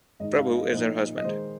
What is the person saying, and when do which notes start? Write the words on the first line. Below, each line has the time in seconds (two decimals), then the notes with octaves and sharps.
Prabhu is her husband.
0.20 G#2 D#3 G#3 D#4 D#5
0.37 F5
0.55 D#5
0.68 C5
0.72 A#2 F3 A#3 D#4 D#5
1.17 D#5
1.24 D#3 G#3 D#4 C5